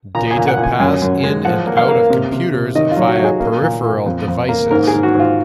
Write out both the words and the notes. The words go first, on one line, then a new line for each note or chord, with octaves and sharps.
Data pass in and out of computers via peripheral devices.
A#2 A#5
G#5
A#2
F#5
A#2
G#5
F#2 G#5
F#2
G#3
F3 F#5
A#3
F5
A#3
C3
C3
C3
D#3 D#5
F4
F#3
F#4
F#3 G#4
A#3
A#2
A#2
F2
F2
A#3
G#2 A#4
G#4
G#2
F#4
G#2 F4